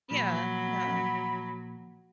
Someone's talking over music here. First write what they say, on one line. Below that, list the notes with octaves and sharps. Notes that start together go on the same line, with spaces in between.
Yeah, yeah.
A#2 F3 F#3 A#3 B5